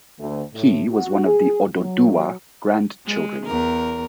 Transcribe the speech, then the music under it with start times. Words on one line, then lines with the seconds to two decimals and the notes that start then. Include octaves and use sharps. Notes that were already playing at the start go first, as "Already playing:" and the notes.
He was one of the Oduduwa grand children.
0.18 D2
0.53 A2
0.91 F#4
1.25 G#4
1.78 F#3
3.06 G#3
3.47 E2 A#4